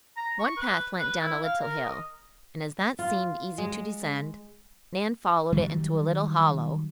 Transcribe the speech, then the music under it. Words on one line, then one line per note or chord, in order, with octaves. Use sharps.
One path went down a little hill, and as that seemed easy to descend, Nan followed it into a little hollow.
A#5
C#6
B4
B4
E4
F5
A#4
D#5
F4
G#3
D#3 F#3 G3